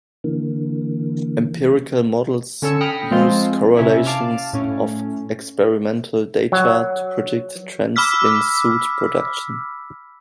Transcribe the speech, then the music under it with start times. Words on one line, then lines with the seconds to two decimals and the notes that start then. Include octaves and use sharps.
Empirical models use correlations of experimental data to predict trends in soot production.
0.24 D3 E3 A#3
2.62 D3 C#4 A4 C#5 E6 C#7
2.81 G5 B5 D#6 F6 A#6 C#7
3.11 F3 G#3 C4 F4 C5
3.77 C3 C#4 E4
4.06 F5 A5 D6 F6
4.53 A2 C#4
6.52 F#3
7.96 B5 D6 E6 F6 B6